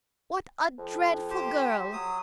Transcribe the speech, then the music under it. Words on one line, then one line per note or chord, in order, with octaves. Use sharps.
"What a dreadful girl!"
F2
G4 C5
F#3 D#6